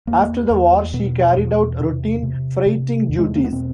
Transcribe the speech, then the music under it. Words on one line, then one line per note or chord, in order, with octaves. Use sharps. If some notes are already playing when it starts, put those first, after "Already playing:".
After the war she carried out routine freighting duties.
E2 A#3
E2
B2 B3
E2
C3
C3
C3
E2
G#3
A3
A#3
B3
B2 C4